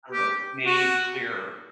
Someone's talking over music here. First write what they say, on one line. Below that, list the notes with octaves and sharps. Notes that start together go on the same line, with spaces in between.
I don't know, made clear
G4
F#4